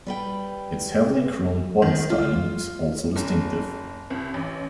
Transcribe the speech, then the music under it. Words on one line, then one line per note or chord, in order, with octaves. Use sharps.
Its heavily chromed body styling is also distinctive.
G3 B4 G5
D#3
F4
F#1
C2
A1